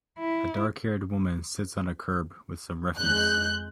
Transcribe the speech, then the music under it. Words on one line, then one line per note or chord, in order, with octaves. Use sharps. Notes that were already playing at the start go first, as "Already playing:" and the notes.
A darkhaired woman sits on a curb with some refuse.
E4
F2 G#3 F#6 G6